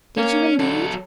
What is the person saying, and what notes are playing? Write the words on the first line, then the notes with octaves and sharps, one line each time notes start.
"Did you indeed?"
A#3 C#4
D3 F#3 A4